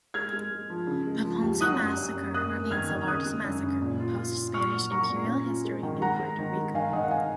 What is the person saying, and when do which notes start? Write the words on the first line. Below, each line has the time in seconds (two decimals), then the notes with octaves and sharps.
The Ponce massacre remains the largest massacre in post-Spanish imperial history in Puerto Rico.
0.14 G#3 F6 G#6
0.33 G#3
0.51 G#3
0.70 F3
0.87 C#3
1.07 G#3
1.25 F3
1.42 D#2
1.61 F#3 D#6 F#6
1.79 F#2
1.97 F#2
2.17 F#2
2.34 A#3 D#6 F#6
2.53 A#3
2.71 D#3 F6 G#6
2.89 D#3
3.08 C#3 D#6 F#6
3.26 G#3
3.44 F#2
3.63 C#3
3.81 A#2
4.00 F4
4.18 F4
4.37 F4
4.54 A#2 C#6 F6
4.72 F#3
4.91 F#3 A#5 C#6
5.10 A#2
5.27 C#4
5.46 F4
5.65 G#3
5.83 D#3
6.01 G#3 F#5 A#5
6.19 G#3
6.39 D#3
6.57 G#3
6.74 D#3 F5 G#5
6.92 D#3 D#5 F#5
7.03 F#5
7.11 D#4 F5 G#5